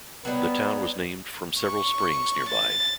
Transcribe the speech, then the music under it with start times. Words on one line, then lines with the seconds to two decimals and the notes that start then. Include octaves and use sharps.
The town was named from several springs nearby.
0.25 F#3 G3 B3
1.61 C#6
2.50 A6